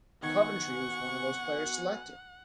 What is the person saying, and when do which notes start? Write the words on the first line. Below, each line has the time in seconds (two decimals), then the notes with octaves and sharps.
Coventry was one of those players selected.
0.23 D#3 B3 F#4 F#5 G#5 C#6 G#6